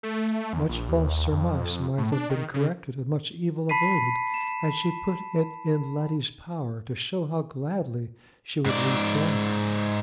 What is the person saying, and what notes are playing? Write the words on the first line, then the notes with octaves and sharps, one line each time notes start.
Much false surmise might have been corrected, and much evil avoided, had she put it in Letty's power to show how gladly she would leave Thornwick.
A3
E2
A#1
D#2
F2
A2
D4
D#3
C#3
A5 B5 B6 C7 D#7
E7
G#2 D5